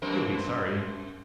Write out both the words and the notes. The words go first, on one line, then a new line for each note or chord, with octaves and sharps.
"You'll be sorry!"
F#2 C4 A#4